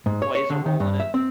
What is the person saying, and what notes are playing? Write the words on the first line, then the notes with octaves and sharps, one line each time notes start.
plays a role in it.
G#2
C#5
C#5
D3
D#3
G2
E5
C4